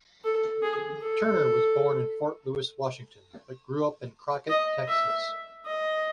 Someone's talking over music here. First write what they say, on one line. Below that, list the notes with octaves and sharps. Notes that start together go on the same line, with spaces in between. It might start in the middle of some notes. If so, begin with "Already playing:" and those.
Turner was born in Fort Lewis, Washington, but grew up in Crockett, Texas.
A4
G#4
A4
D#5
E5
D#5